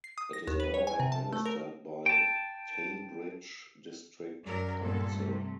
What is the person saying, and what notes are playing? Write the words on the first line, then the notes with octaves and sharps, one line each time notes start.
It is now administered by Teignbridge District Council.
C7
D#6
A#6
D#2
B4
C#5
G#5
C3
A5
A3
A#4
G5 A5
F#2 F#3 A#4 D5
G2 A#2 B3 A4
C3 A3